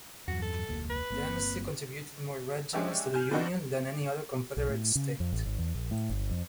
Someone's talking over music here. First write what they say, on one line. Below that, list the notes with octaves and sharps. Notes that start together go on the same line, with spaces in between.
Tennessee contributed more regiments to the Union than any other Confederate state.
E2 G2 F#3 F#4
A4
F1 D2 A#3
B4
G1 A#3 C4
G#3 C#4 D4 G4 E5
G#5 F6 G6
F3 B3 C4 D4 D#4 F#4
B1
A2
C#3
F2
A1
G#1
E2
A#1
A2
G1
F2